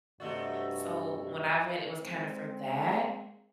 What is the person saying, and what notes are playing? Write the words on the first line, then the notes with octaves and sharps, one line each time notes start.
So when I went, it was kinda for that.
G2 C3 A3 F#4 D5 D#5
G#3 C4